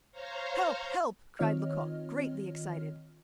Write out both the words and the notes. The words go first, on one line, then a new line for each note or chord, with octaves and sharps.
"Help! help!" cried Lecoq, greatly excited.
C5 C#5 F5 A#5
D#3 C4 F4 C#5 D#5 F6